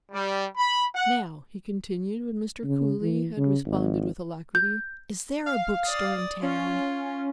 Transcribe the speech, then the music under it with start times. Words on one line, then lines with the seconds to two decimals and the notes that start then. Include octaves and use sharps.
"Now," he continued, when Mr. Cooly had responded with alacrity, "is there a bookstore in town?"
0.12 G3
0.58 B5
0.95 F#5
2.64 C#3
3.02 E3
3.37 C#3
3.66 G#1
4.55 G6
5.46 F5
5.84 D5 D#6
6.43 C#4 F4